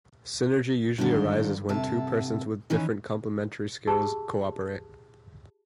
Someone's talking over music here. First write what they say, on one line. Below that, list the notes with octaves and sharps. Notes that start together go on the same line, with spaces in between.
Synergy usually arises when two persons with different complementary skills cooperate.
G2 D3 D#3 D4 F4
C3 E4 A4
D#3 E3 C#4 D#4
F4 G4 G#4 A5 C#6 E6